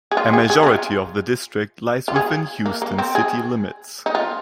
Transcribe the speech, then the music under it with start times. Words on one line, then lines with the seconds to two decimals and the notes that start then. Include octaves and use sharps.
A majority of the district lies within Houston city limits.
0.11 G#4
0.17 F4
0.33 G#4
0.50 G#4
0.63 G#4
0.67 F4
2.08 F4
2.16 G#4
2.66 A#3
2.82 A#3
2.98 C4
3.15 G#4
4.06 D#4
4.15 F4